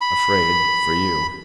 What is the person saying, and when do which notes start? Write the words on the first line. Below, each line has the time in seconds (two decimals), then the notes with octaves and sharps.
"Afraid--for you!"
0.01 B5